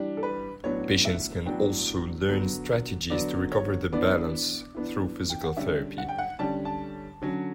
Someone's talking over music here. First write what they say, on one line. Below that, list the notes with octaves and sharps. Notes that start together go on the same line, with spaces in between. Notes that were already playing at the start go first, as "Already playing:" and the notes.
Patients can also learn strategies to recover their balance through physical therapy.
Already playing: E3 G3 D4
A4
B4
A2 F#3 B3 D4 C#5
E5
A2 F#3 B3 D4 G5
D3 F#3 B3
D3 F#3 B3 D5
C#5
E3 B3 D4 D5
E3 B3 D4
G5
F#5
D3 G3 C#4 E5
F#5
G5
F#5
D3 G3 C#4 A5
A5
D3 F#3 C#4